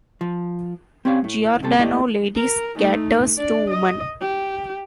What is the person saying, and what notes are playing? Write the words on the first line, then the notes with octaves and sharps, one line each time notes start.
Giordano Ladies caters to women.
F3
C4 C#4 G4 C#5 D5 F5
A2
C2 C3 C4 A4
A3 A#3 E4 G4 D5 D#5
A#4
A3 D#4
D4 D5
D#5
G4